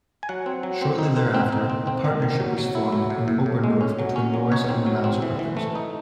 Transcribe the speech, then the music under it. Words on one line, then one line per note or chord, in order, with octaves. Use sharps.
Shortly thereafter, a partnership was formed in Oberndorf between Norris and the Mauser brothers.
G#5
F#3 F#5
C4
F#3
C4
D#4
C4
C4
D#4
C4
C4
D#3
D#3
F#3
F#3
E4
F#3
A2
A2
A2
G#3
C#4
F#3
C#4
F#3
D#4 C#5
C4
F#3
C4
E3
E3
A3
D#4